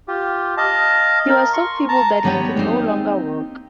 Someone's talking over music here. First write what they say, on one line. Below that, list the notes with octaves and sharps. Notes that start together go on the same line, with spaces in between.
He was so feeble that he could no longer walk.
F4 G4
D#5 F5 A5
A#4
C6 C#6
A5 A#5
D#2 G3 B3 C#5 D#5 G5
A#3 C4 D#4 G4